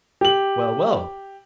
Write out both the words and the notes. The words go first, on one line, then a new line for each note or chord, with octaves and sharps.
Well, well.
G4 F#7